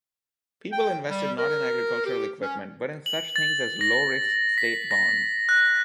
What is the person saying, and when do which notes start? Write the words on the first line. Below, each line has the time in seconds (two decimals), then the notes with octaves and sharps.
People invested not in agricultural equipment but in such things as low-risk state bonds.
0.72 G5
1.09 G3
1.38 A#4
2.06 G4
2.42 C#4
3.06 F#7
3.36 A6
3.81 A#6
4.58 B6
4.91 A#6
5.49 F#6